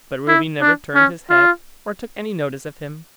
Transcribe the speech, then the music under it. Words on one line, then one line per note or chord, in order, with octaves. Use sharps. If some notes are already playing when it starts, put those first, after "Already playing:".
But Ruby never turned his head, or took any notice of him.
E4
D4
C#4
F4